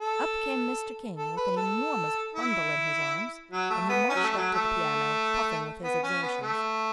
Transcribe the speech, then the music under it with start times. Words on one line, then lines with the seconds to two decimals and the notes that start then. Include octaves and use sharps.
Up came Mr. King with an enormous bundle in his arms; and he marched up to the piano, puffing with his exertions.
0.01 A4
1.17 A4
1.37 B4
1.56 A4
2.34 E4
3.51 F#3
3.70 A3
3.89 B3
4.09 C#4
4.16 F#3
4.23 A3
4.38 F#3
4.53 A3
5.83 B3
6.03 C#4
6.22 B3
6.42 A3